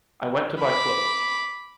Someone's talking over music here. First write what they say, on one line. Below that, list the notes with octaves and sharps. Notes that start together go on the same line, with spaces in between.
I went to buy clothes.
B5 D6